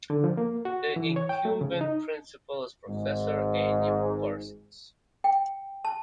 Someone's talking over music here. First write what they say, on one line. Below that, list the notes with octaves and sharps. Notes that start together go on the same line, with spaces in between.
The incumbent principal is Professor Andy Parsons.
D3
F3
A#3
F#4
E3
C#5
G5
A3
C#3
D#4
G#1 G#2
G5
A5